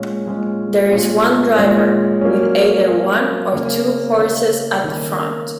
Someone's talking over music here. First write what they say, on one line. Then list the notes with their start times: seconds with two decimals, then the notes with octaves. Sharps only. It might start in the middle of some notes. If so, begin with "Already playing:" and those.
There is one driver, with either one or two horses at the front.
Already playing: A#2 G#3 C#4
0.25 A#2 G#3 C#4
0.91 A#2 G#3 C#4
1.56 A#2 G#3 C#4
2.21 F#3 A#3 C#4
2.88 F#3 A#3 C#4
3.53 C#3 A#3 C#4
4.17 C#3 A#3 C#4
4.83 D#3 A#3 C#4